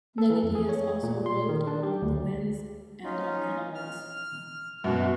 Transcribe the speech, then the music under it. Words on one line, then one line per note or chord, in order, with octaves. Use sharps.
Nigidius also wrote on the winds and on animals.
A4
E3
F2
G#4
C#5
A#2
C6
D#3
D4
G4
D2
C#4 D#4 F4
F6
F#2 B2 F#4